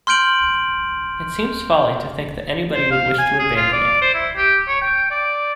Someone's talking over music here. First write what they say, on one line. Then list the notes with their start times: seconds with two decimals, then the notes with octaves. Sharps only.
It seems folly to think that anybody would wish to abandon it.
0.07 C6 F6 G6 D7 F#7
2.73 C5
2.91 F5
3.18 G#5
3.39 G#4
3.56 F4
3.72 D5
4.02 C5
4.14 E4
4.37 G4
4.68 C#5
4.81 G5
5.11 D5